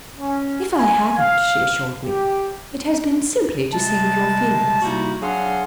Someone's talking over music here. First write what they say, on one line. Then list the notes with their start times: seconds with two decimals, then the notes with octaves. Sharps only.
"If I haven't," she assured me, "it has been simply to save your feelings."
0.18 C#4
0.75 G#5
1.18 F5
2.05 G4
3.72 C3 G3 G#3 A5
4.81 C3 G3 A#3 D#4 E4 F#4
5.21 F#3 D4 G#4 F5 F#5 C6